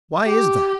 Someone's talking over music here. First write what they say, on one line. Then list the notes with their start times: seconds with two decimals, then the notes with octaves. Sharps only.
Why is that?
0.23 G4